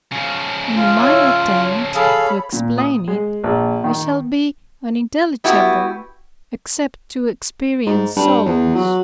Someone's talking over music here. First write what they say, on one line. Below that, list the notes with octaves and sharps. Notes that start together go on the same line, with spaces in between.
In my attempt to explain it, I shall be unintelligible, except to experienced souls.
C#3 F3
F4
C#5 E5 E6
C#5
G#4 A4 C#5 F5 B5
A#2
D#6
G#3
A#1
D#3
B3 E4 F#4 G4
G#2
G2
E2
F#3